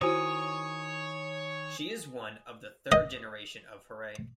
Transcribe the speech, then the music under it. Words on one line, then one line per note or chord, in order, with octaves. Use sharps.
She is one of the third generation of Horae.
D#3 E4 F#4 C5 C#5 G#5 D#6
D#5